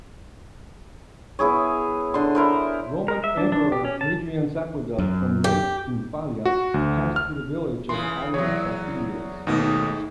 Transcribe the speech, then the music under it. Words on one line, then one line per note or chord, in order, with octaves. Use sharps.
Roman emperor Hadrian's aqueduct from Lake Stymfalia passed through the village of Ayios Vasilios.
B3 E4 G#4 C#5
D3 C6
E4 A#4 C5
A#4
E5
D4
D4
G4
C#4
A5
F#2
G4
F#4
D2
F6
C#3 E3 C6
E2 F#3 C#5
D#2 G#2 B2 A3 D#4